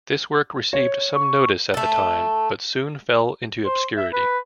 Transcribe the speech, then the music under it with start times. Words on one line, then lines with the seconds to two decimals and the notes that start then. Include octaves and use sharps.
This work received some notice at the time, but soon fell into obscurity.
0.73 C#5
1.15 C#6
1.74 A3 A4
3.66 C5
3.97 E5
4.13 B4